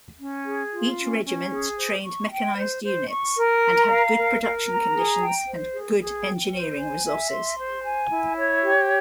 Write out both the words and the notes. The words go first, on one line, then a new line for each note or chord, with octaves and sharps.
Each regiment trained mechanized units, and had good production conditions and good engineering resources.
C#4
G#4
F4
C#4
C#4
G#4
C5
C#6
G5
C5
C5
C#6
A#4
A#5
F5
A#4
A#4
A#5
G#4
G5
C5
G#4
G#4
G5
C5
G#5
E5
C6
C5
G#5
E4
C#5
G4